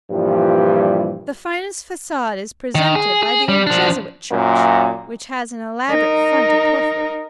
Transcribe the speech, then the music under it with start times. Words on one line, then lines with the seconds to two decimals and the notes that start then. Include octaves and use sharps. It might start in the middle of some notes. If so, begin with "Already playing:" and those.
The finest facade is presented by the old Jesuit church, which has an elaborate front of porphyry.
0.11 G2 A#2 E3 F3 G3
2.75 D#3
2.95 G#4
3.23 G#4
3.49 G3
3.67 F3 D4
4.32 F#2 A#2
5.89 D#4 A#4